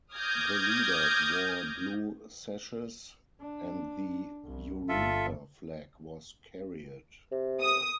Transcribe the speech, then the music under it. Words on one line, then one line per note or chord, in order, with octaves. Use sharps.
The leaders wore blue sashes and the Eureka Flag was carried.
D6 D#6 F6 G6 G#6 A#6
D4
C2
G1 F4 A4 E5
C3
D#6